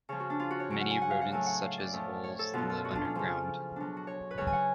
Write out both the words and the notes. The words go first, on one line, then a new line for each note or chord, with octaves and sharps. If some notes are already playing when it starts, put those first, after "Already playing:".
Many rodents such as voles live underground.
C#3 F3 C#5
F#4
D4
F4
F#4
C#5
C#3 F#3
F#5
G#5
F#5
F5
F#5
A2 F#3 G#5
F#5
F5
D5
A2 F3
C#5
A4
B2 F#3 F4
F4
F#4
D4 F4
C#4
C#3 F3
B2 F#3 D4
F#4
C#5
B4
C#3 F#3 C#5
G#5
F#5